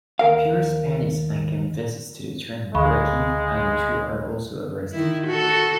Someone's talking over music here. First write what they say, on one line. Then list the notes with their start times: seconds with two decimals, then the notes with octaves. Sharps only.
Pierce panics and confesses to the train wrecking, and the two are also arrested.
0.19 D#2 A#4 F5
2.75 D2 G#3 F5 B5 C#6
4.92 D#3 E4
5.26 F#4 A4